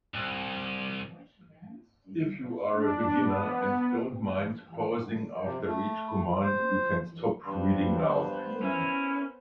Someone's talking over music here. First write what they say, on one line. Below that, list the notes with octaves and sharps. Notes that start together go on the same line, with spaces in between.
If you are a beginner and don't mind pausing after each command, you can stop reading now.
C2
D4
B3
C3
A3
C5
G2 B3 C5
C#4 E4 A#4